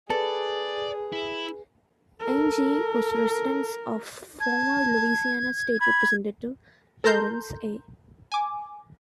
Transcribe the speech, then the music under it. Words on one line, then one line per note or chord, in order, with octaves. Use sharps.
Angie was the residence of former Louisiana State Representative Lawrence A.
G#4 A4 B4 D5
E4
A4 A#4
A5 G#6
B5 G#6
A4 A#4 A5 A#5 C6 G6
G#5 D6